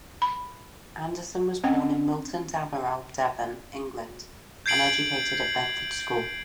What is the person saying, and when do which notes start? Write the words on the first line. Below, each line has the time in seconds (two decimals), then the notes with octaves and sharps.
Anderson was born in Milton Damerel, Devon, England and educated at Bedford School.
0.22 B5
1.64 C4 C#4 D#5 F#5 G5
4.66 G6 G#6 C7 D7 F#7